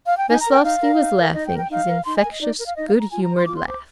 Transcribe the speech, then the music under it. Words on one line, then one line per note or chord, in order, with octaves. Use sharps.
Veslovsky was laughing his infectious, good-humored laugh.
F5
G5
D#4 G#5
A#5
A#4
G5
D#4 F5
A#4
D#4
A#4
D#4 D#5
G5
A#4
G5
D#4 F5
A#4
D#4 C6
G#5
A#4
D#5
D#4 D5
A#4
F5
D#4 D#5
F5
A#4
A#5
F4 G#5
A#5
C5
C6
F4 D6
C6
C5 D6